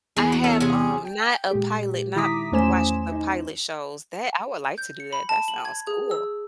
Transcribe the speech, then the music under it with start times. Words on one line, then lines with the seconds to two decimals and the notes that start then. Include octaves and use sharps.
I have, um, not a pilot, not watched the pilot shows that I would like to do that. That sounds cool.
0.17 E2 G#4
0.32 F#4
0.44 C#4 F#4 A4
0.61 C3 C#4 G#4
1.05 G5
1.51 A#2 G#3 G4
2.16 D#3 E4 A#5 D6 D#6 B6
2.52 E2 A3 C#4 C5 G#5 E7
3.12 D#4
4.78 G6
5.00 C#7
5.13 B5
5.29 A5
5.48 F#7
5.65 G#6
5.87 G#4
6.11 E6